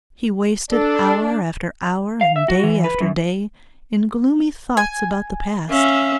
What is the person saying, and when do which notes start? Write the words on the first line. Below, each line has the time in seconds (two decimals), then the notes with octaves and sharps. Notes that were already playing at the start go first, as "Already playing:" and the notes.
He wasted hour after hour, and day after day, in gloomy thoughts about the past.
0.72 D4 A4
2.21 F5
2.36 E5
2.48 F#4
2.63 E3
2.84 B4
3.01 F#2
4.77 G#5
5.70 C#4 E5 F5